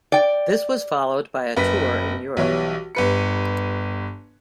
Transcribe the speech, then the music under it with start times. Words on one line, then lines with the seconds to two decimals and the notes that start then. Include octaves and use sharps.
This was followed by a tour in Europe.
0.12 D5 G5
1.57 F#1 B4 B6
2.37 B1 E3 G3 C#5
2.95 G1 B4 C#7